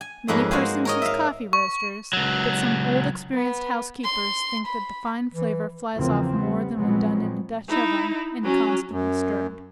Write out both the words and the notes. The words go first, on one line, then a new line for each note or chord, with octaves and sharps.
Many persons use coffee roasters,--but some old experienced housekeepers think that the fine flavor flies off more than when done in a dutch-oven, and constantly stirred.
G#5
F2 G#2 G#3 A#3 B4 C#5
G#3 F#4 C5 F5 G#5
A#4 C#5 D#5
E5 F5
C#6
C#2 F#3
B3
C6
B5
E3
E2 C#3 E3 F3 A#3 C4
G3 B3
A#2 F3 F#3 G#3 B3 C4
D#4 E4
F#3 C#4
F#2